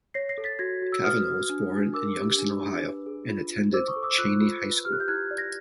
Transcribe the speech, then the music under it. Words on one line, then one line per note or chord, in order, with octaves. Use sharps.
Cavanaugh was born in Youngstown, Ohio, and attended Chaney High School.
C#5 A#6 C7
A#6 C7
A4
A6 B6
F#4 G#6 A#6
F#4
E6
B4 D#6 F6
F#4
D4
D4
A#4 D6 E6
G4
D4
D4
B4
G#4
F4
F4
C5 D6 E6
C#6 D#6
A4
D6 E6
F4 E6 F#6
F4
B4
G4 F6
F#6
G6
E4 F#6 G#6
D5
G#6 A#6